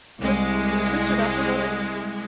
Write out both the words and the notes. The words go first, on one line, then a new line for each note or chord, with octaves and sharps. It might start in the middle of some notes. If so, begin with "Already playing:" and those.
flip switch it up a little
C2 G#3